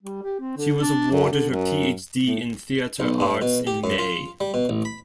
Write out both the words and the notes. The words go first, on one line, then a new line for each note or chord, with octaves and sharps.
She was awarded her Ph.D. in Theatre Arts in May.
G3
G4
C4
D3
D4
F#2
D3
F#2
A2
B1
G2
B2
G4
F#2
F4
G3
B2
A1
B5